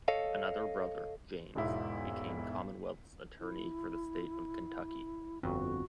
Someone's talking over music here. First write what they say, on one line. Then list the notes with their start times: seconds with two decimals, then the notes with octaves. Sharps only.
Another brother, James, became Commonwealth's Attorney for the state of Kentucky.
0.08 A4 C#5 D#5 F5
1.55 E1 B1 G#2 E4
3.40 E4
5.43 G1 F2 F#4